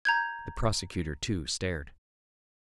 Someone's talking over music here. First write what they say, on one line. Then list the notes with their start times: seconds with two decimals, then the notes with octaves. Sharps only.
The prosecutor, too, stared.
0.05 A#5 G6 G#6